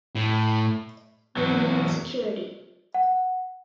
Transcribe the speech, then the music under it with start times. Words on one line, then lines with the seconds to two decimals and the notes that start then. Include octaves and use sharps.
We need security.
0.15 A2
1.37 E2 F#3
2.95 F#5